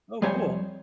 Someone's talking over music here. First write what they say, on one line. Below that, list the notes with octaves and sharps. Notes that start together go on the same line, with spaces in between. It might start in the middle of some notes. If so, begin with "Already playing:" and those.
Oh, cool.
F2 G3 C5 C#5 G#5